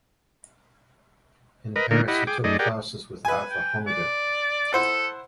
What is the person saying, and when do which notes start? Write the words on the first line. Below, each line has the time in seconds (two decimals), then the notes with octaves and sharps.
In Paris he took classes with Arthur Honegger.
1.76 A#4 B4 D#5
1.91 A#2 D3 A3 A#3 D#4 A#4
2.08 E4 G4 D#5 F#5 B5
2.27 G#4 G5 D6
2.44 F#2 A3 D#4 G#4 D5 D#5
2.59 G4 G#4 A#4 D5 F#5 G5
3.25 B4 G#5
3.50 G5
3.87 D5
4.73 E4 A4 C5 F#5